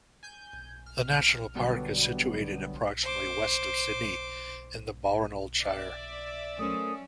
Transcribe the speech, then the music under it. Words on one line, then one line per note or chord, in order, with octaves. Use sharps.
The national park is situated approximately west of Sydney in the Balranald Shire.
G#5 G6
F6
B2 D3 F#3 G3 B3
C5 D6
D5 E5
F#3 A3 C#4 A#4 C5 D#6